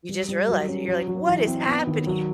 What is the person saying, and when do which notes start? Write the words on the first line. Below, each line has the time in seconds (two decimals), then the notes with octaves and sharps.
You just realize it, you're like, "What is happening?!"
0.09 G3
0.28 G3
0.48 F#3
0.69 C#4
0.88 F#3
1.08 F#3
1.27 E3
1.47 C4
1.67 B3
1.87 D#3
2.07 F#3